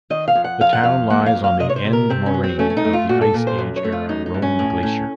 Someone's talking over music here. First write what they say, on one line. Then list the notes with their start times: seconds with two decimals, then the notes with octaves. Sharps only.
The town lies on the end moraine of the ice age era Rhone glacier.
0.10 D#3 D#5
0.28 F5
0.35 F2
0.44 F#5
0.60 F2 F5
0.73 F#5
0.84 F2 F5
1.10 A#3 F#5
1.26 F5
1.35 F2
1.44 F5
1.60 C3 D#5
1.69 C#5
1.76 C5
1.85 C3
1.93 A#4
2.09 C3 C4
2.26 C#4
2.34 F#3
2.43 C4
2.59 A3 C#4
2.70 C#4
2.77 D#4
2.85 A3
2.93 F4
3.09 A#2 F#4
3.21 A4
3.34 A#2
3.47 C5
3.58 F#2
3.76 C#5
3.84 A3
3.92 F4
4.09 F#2 D#4
4.26 D#4
4.34 F#2
4.42 C#4
4.59 A2
4.83 A2